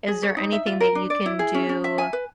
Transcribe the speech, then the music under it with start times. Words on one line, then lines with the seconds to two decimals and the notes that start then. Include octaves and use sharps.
is there anything that you can do,
0.08 G#4
0.23 C#5
0.37 D#4
0.52 E5
0.66 F4
0.80 A#4
0.95 D4
1.10 D5
1.26 E4
1.39 G#4
1.54 C#4
1.69 C#4
1.84 E5
1.98 G#5
2.13 B4